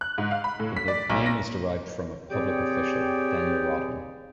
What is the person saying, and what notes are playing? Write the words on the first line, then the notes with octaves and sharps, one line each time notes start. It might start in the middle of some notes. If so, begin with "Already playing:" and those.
The name is derived from a public official, Daniel Rodman.
F#6
G#2
F5
B5
A2
B6
D5
B1
A#6
C4 G4 G#4 C#5 D5 G5